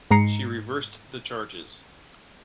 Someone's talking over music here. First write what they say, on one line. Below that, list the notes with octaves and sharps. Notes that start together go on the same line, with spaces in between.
She reversed the charges.
G#2 G#3 A#5 C7 C#7